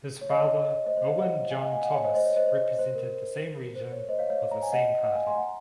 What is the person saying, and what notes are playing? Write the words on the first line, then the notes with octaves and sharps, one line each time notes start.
His father Owen John Thomas represented the same region for the same party.
C#5
D#5
C#5
C5 D#5
C5 D#5
C#5 F5
D#5 F#5
F5 G#5
D#5 F#5
F5 G#5
D#5 F#5
C#5 F5
C5 D#5
C5 D#5
C#5
C5 D#5
C5
C5
A#4
C5
C#5
C5 D#5
C#5 F5
C#5 F5
A#5
G#5
D#5 F#5
D#5 F#5
F5 G#5
G#5 C6
F#5 A#5